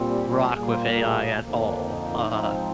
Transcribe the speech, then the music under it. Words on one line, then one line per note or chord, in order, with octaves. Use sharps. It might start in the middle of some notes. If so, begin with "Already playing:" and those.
rock with AI at all. Uh,
Already playing: A#2 G3 C4
G4
G4
A#4
A#2 G3 A#3 G#4
C5
A#4
G#4
F2 D3 F3 A#3
D#4
D4
D#4
G#2 F3 C4